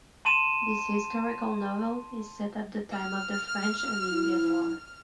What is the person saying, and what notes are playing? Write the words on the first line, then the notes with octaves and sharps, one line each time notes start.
This historical novel is set at the time of the French and Indian War.
A5 C6 D#7 E7
F6
E4